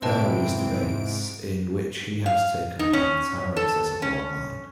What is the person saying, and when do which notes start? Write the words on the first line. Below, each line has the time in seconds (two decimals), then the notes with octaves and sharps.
Various debates in which he has taken part are accessible online.
0.02 G#2 C3 C4 E4 B4 D#5 A5 D7
2.26 F5
2.79 D#4
2.93 C#4
3.57 A4
4.02 C#4